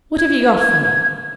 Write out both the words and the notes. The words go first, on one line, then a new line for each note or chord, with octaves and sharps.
What have you got for me?'
G#6